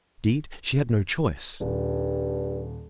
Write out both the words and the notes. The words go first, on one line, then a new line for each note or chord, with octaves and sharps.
Indeed, she had no choice.
D#1 G2